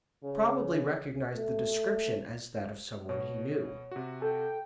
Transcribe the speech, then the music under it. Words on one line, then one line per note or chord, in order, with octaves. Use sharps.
"Probably recognized the description as that of someone he knew."
C#3
A3
B2 C#5
C3 F#4
A4 G5